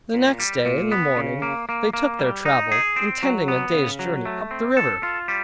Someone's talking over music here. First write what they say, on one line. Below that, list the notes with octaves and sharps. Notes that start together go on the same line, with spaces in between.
The next day in the morning they took their travel, intending a day's journey up the river.
A#2
G3
A#2
B3
C#3
A#3
A#3
A#3
G3
D#4
G#4
C4
F#3
B3
C#3
F#3
A3
C4
A4
F4
G3